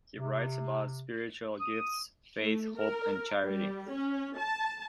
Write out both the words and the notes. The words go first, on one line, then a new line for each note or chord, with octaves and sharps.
He writes about spiritual gifts, faith, hope and charity.
C3
D#6
A3
A#4
G3
C#4
A5